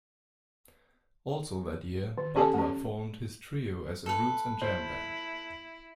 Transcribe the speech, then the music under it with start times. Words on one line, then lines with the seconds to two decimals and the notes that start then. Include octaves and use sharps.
Also that year Butler formed his trio as a roots and jam band.
2.18 D#3
2.36 C#4 G4 A4 G#5 A5
2.54 A3 C#4
4.06 A4 B4
4.62 E4 C5